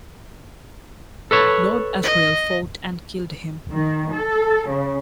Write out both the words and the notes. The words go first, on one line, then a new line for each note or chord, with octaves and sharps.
Lord Asriel fought and killed him.
A4 B4 C#5
D#5
D#3
A4
C#3